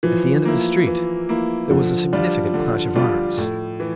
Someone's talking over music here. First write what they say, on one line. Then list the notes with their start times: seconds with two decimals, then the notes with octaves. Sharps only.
At the end of the street there was a significant clash of arms.
0.03 E3 F3
0.45 A#3 E4
0.87 E3
1.29 A#3 E4
1.71 D3 F3
2.13 G3 D4 F4
2.54 D3
2.96 G3 D4 F4
3.38 A2
3.80 E3